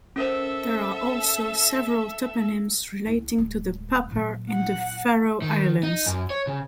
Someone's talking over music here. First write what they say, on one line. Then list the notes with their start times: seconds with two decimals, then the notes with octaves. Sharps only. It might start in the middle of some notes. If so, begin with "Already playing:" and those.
There are also several toponyms relating to the Papar in the Faroe Islands.
0.16 C#4 A4 A#4 C5 E5
3.06 C#2 E4
3.38 D1 G#3
4.11 A#2 F#3
4.51 F#5
5.42 D#3
5.83 D#4
6.06 F#2
6.30 C#5
6.47 C#3